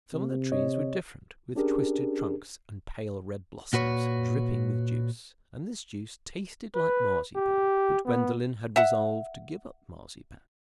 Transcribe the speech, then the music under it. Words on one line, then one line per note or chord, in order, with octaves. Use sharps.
Some of the trees were different, with twisted trunks, and pale red blossoms dripping with juice; and this juice tasted like marzipan, but Gwendolen had resolved to give up marzipan.
C3
C#5 D#5
C#4 D4 G4 G#4 A#4
A#2 F#4 B4 C#5
B4
G4
B3
E5 F#5